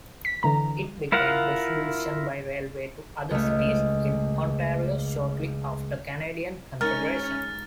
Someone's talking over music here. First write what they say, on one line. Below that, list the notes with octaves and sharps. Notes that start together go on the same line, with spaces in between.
It began distribution by railway to other cities in Ontario shortly after Canadian Confederation.
B6
D3 E3 A#5
E4 F4 A#4 F5 F#5
C#2 A3
G#3 C#4 D#4 A#4 F6 A6